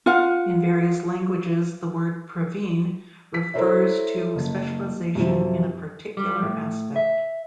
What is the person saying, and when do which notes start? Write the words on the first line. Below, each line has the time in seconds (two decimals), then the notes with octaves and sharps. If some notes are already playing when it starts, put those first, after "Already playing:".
In various languages the word "praveen" refers to specialization in a particular aspect.
0.06 F4 F5 F#5
3.34 B6
3.54 E4 A4 A#4 C5 C#5 E5
4.36 F#1
5.15 F#2 C3 F3
6.17 G3
6.43 A2
6.96 E5